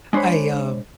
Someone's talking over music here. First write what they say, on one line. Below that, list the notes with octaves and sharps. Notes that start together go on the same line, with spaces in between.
I, um,
G#3 D4 C5 C#5 B5